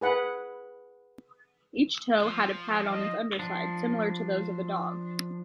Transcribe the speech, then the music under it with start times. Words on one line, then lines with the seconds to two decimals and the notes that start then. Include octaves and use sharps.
Each toe had a pad on its underside, similar to those of a dog.
0.01 G#4 B4 F#5
2.22 F3
2.91 D#5
3.39 F3 D4